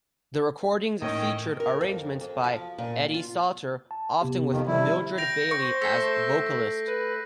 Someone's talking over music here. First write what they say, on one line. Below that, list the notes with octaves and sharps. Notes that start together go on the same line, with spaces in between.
The recordings featured arrangements by Eddie Sauter, often with Mildred Bailey as vocalist.
A2 D#3 C#4 D#5 G5
A#4
F2
F2
F3
A#2
F4
A5
C3 B3 G4
F2 D#3
C3 D#3 F3 G3 E4
F5 G6 A#6 D7
C5 C#6
A3 A4 B6 C7
B4